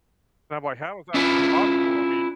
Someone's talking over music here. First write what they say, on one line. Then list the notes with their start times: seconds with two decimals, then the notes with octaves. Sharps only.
And I'm like, "How is that even possible?" I mean,
1.14 C#4 D4 E4 F4 B4